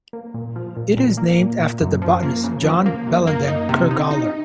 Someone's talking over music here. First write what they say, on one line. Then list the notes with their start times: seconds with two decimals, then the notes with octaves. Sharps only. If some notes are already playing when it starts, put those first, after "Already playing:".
It is named after the botanist John Bellenden Ker Gawler.
0.13 A#3
0.34 A#2
0.56 F3
0.76 A#2
0.97 A#2
1.18 A#3
1.39 A#2
1.60 A#2
1.80 F#2
2.02 F3
2.23 A#3
2.43 C#3
2.64 F3
2.86 A#3
3.07 F#2
3.27 A#3
3.48 D#4
3.69 C3
3.91 D#4
4.11 D#4